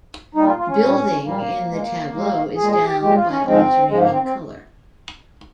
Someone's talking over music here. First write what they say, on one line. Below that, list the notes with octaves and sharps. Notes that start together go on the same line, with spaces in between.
Building in the tableau is down by alternating color.
A#2 G3 D#4
F4
F4
C#4
A#2 G3
A#2 G3 A#3
A#2 G#3
A#2 G#3
A#2 G#3 G#4
G#4
G4
A#2 G#3 G4
F4
C#4
G#2 F3 G#3 C4
G#2 F3 G#3
A#3
C4
C4